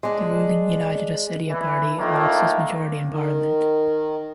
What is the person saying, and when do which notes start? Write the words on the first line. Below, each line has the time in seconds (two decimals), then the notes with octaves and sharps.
The ruling United Ossetia party lost its majority in parliament.
0.03 G#3 D4
1.49 E3
1.98 A2 D#3 A3 A#3 D4 F4
3.11 D#3